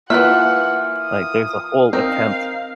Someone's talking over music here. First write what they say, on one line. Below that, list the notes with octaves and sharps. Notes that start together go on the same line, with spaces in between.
Like, there's a whole attempt
E3 A#3 F4 E5 F#5 F6 F#6
D#6
C4 D#4 A#4 F5